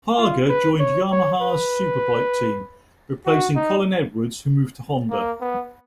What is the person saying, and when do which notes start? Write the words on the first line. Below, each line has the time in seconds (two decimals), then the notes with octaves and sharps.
Haga joined Yamaha's Superbike team, replacing Colin Edwards who moved to Honda.
0.18 F4
0.49 B4
0.80 C#5
1.11 C#5
1.41 B4
3.26 F#4
3.56 D#4
5.10 A#3
5.41 B3